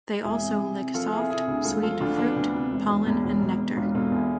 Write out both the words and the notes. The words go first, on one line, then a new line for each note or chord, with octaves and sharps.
They also lick soft, sweet fruit, pollen, and nectar.
E1 E4 G#4
C3
C3
C3
F3 F4 A4
F4
C3 E4 G#4
C3 E4 G#4
D2
E1 F4 A4
F3 F4 A4
D2 D4 F4
F3 B3 D4
D2
C3
E1
E1
E2
E1
B2
B2
E1 D4 F4
B2 F4 A4
E2 E4 G#4